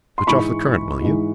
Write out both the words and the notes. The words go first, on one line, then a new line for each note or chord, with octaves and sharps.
Switch off the current, will you?
C6
G#2 E3 G#3 B5 C#6
G#2 E3 G#3